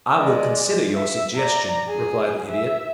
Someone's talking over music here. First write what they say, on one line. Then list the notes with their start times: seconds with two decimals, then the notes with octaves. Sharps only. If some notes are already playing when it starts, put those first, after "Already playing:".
"I will consider your suggestion," replied the Idiot.
0.13 G#3 D5
0.95 E5
1.37 D5 A#5
1.88 G#4
2.50 E5